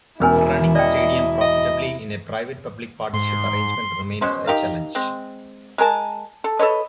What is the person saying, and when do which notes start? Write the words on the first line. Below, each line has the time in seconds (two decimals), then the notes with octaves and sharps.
Running the stadium profitably in a private-public partnership arrangement remains a challenge.
0.20 E1 C#4 E4 A#4 G#5 F6
0.75 D5 D#5 G5
1.41 D#5
3.14 G#2 C6
4.21 B2 G#3 C#4 C5
4.47 D#4 G4 A#4 F5
4.95 G#3 C4
5.78 G#3 A#4 G#5 A5
6.44 A4
6.59 A4 B4 C#5 D#5